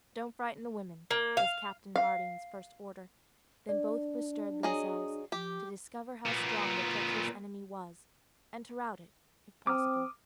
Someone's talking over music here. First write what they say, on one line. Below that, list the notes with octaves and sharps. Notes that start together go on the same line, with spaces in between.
'Don't frighten the women,' was Captain Hardy's first order; then both be stirred themselves to discover how strong the treacherous enemy was, and to rout it if possible.
A#3
F5
F5
D4 D5
F#3 G#4 D#5
F3 G4
A#2 B3
C4 D6 D#6 F6